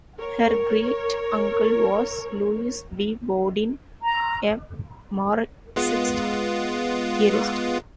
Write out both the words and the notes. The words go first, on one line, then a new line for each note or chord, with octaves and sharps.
Her great-uncle was Louis B. Boudin, a Marxist theorist.
A#4 C#5
A#5
G#3 B3 F4